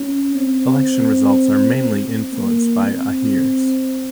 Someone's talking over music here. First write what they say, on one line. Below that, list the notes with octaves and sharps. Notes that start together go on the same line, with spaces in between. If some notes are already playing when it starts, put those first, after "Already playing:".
Election results are mainly influenced by Ahirs.
Already playing: C#4
C4
C4
A#3
C4